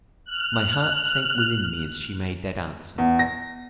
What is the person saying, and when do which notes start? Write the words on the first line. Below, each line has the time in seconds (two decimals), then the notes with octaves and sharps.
My heart sank within me as she made that answer.
0.25 F6 F#6
2.98 E2
3.19 A#6